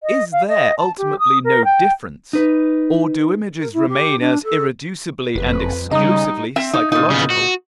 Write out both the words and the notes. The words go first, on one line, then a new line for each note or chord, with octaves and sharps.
Is there ultimately no difference, or do images remain as irreducibly and exclusively psychological?
D#5
F5
D#5
A5
G4
D#6
A#4
G5
D#4 B4
A#4
E4
G4
D4
A4
F#1 F2 B4
C#3 G3 D#4 D#5 D#6
C4 E5
D#4
A#2 D#4
C#3 B3
F#4